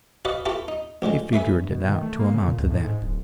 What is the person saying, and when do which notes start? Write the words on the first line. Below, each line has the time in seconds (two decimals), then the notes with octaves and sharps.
She figured it out to amount to that.
0.25 F#4 B4 D5 D#5 F5 F#5
0.45 E4 F4 G4 A4 B4 C#6
0.68 D#4
1.02 A1 D3 F3 G#3
1.33 A3 B4 E5 G#5
1.57 G2
1.72 B2
1.88 D#3
2.02 A3
2.20 A#3
2.34 C#3
2.47 A#2
2.58 C#2
2.70 A2
2.84 G#2
3.02 D1